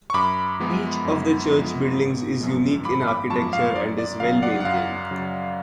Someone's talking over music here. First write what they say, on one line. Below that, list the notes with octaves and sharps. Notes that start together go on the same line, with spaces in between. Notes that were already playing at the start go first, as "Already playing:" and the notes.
Each of the Church buildings is unique in architecture and is well maintained.
C#6
F#2 B5 D6
F3 G#3 B3
F#2
F3 G#3 B3
G#1
F#2 F3 G#3
G#1 B5 D6
B5 D6
F#2 F3 G#3 A5 C#6
F5
F#2 D5
D5
C#3 F#3 F5
D5 F#5
F#5
F#2 F5
C#3 F#3